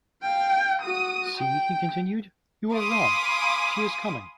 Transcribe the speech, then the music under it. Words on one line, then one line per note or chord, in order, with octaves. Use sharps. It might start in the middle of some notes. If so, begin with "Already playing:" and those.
"See," he continued, "you are wrong: she is coming."
F5 G5
F#4 D#6
G5
F5 G#5 B5 C6 D6 D#6